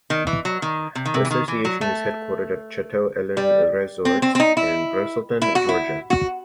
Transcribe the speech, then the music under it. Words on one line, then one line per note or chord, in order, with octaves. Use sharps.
The Association is headquartered at Chateau Elan Resort in Braselton, Georgia.
D#3
E3
F#3
D#3
C3
D#3
C3
E3
D#3
E3
F#3
A3
G3
C4
C4
C4
D#4
E4
E4
F#4
E4
F#4